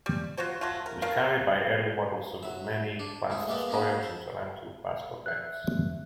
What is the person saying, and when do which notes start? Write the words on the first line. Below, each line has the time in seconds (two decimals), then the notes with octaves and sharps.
It was carried by early-model "Sovremenny"-class destroyers and "Tarantul"-class corvettes.
0.06 G3
0.37 F#3 F4 F#4 C5
0.61 F#3 A3 F4
0.86 A#4
1.02 D#3 A3 A#4 F5
2.43 F#3 E5
2.99 D4
3.30 D2 G#3 E4
3.47 G#3 A#3 B3 G4 A4
3.70 A#3 C#4 D#4 F#4
4.03 A4
5.26 E5 F#6